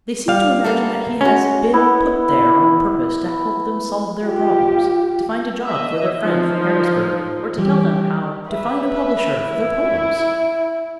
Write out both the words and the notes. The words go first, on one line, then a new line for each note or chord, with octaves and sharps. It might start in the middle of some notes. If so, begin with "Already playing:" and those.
They seem to imagine that he has been put there on purpose to help them solve their problems, to find a job for their friend from Harrisburg, or to tell them how to find a publisher for their poems.
G3 F5
A#3 B3 A4
G#3 C#4 F#4
B3 E4
F4 G4
D#5 E5
F3 D#4
E3 G3 G4
B4 E5
E4